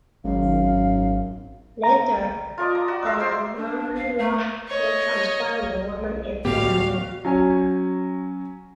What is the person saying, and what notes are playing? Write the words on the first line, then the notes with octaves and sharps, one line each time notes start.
Later, Almamula would transform the woman into a mule.
G#1 F#2 F5
A#5
F4 A#4 D5 D#5
A#5
F#4
A#4 E5 F5
C5 D5 G5 C6
D4
F5
A3
C#5 D#5
D2 A2 B3 F#4 G4 F5 F6
F#3 C#4 G#5